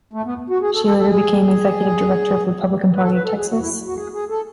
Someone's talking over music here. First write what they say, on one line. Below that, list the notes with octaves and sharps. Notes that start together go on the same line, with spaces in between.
She later became executive director of the Republican Party of Texas.
A3
B3
F#4
G#4
A4
A4
A4
G#4
B4
A4
B4
A4
G#4
F#4
E4
F#4
G#4
G#4
A4